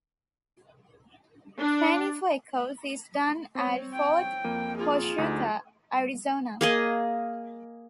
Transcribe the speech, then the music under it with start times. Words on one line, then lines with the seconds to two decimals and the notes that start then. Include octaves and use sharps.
Training for "Echoes" is done at Fort Huachuca, Arizona.
1.60 D4
3.55 C4 C#5
3.93 G5
4.44 F2 A#3 D#7
4.78 F4 G#4
5.18 D2 D#4
6.61 A#3 G#4 D#5